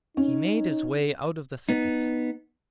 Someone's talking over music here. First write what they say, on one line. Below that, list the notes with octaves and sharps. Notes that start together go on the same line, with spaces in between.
He made his way out of the thicket.
C#4 D#4
B3 D#4